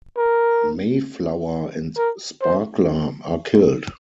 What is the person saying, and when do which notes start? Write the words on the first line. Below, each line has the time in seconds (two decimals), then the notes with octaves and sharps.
Mayflower and Sparkler are killed.
0.17 A#4
1.97 A#4
2.42 C5